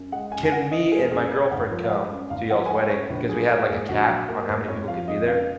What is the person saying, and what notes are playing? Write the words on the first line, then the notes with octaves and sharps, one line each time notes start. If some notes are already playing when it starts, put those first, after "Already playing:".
can me and my girlfriend come to y'all's wedding?" because we had, like, a cap on how many people could be there,
Already playing: F#2
G#3 F#5
F#2 G#5
G#5
C#3 F#5
F#2 D#5
G#3 G#4
A#4
F#2 G#4
C#3 B4
G#1 F#5
F3
F5
G#3 F#5
F#2
G#1 F5
F3 F#5
G#5
G#3 F#5
F#2 C#5
A#1 B4
F#3 G#4
A#3 A#4
G#2 G#4
A#1 F#4
F#3
A#3 A#4
G#2 B4
F2 C#5
F3 F5
F2 D#5
C#3 F5